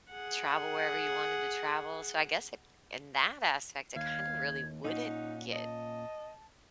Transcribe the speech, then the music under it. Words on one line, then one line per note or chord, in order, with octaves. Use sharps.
travel wherever you wanted to travel, so, I guess i in that aspect it kinda really wouldn't get
G#4 F#5
D#2 F5 G#6
A#2 C#4 D#4 F#5
D#5 A5